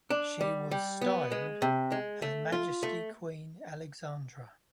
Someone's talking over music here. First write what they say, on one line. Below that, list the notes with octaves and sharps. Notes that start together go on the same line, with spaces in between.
She was styled "Her Majesty Queen Alexandra".
D4
G3
G3
B3
G#3
C3
G#3
A3
F4
A3